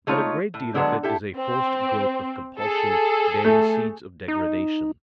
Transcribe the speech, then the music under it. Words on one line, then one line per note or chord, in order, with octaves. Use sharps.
But a great deal of it is a forced growth of compulsion bearing seeds of degradation.
G#3 A3 D#4 F4 C#5
A2
D3 F#3 G#3 B3 C4 D4
E4 G4 A4
C4
G#4 A4
A3
D#4